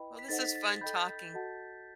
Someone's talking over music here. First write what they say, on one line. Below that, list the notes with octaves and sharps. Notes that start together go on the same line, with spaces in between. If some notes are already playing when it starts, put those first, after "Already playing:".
Well, this is fun talking.
Already playing: E4 B4 D#5 G5 B5
B6
D#4 A4 C5 D#5 F#5 A6
B6
A6
A6
A4 D#5 G5 B5 G6
F#4 A4 D#5 F#5 A5